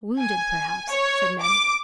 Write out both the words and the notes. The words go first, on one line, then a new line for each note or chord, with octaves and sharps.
"Wounded, perhaps!" said Neb.
G#5
C#5
D6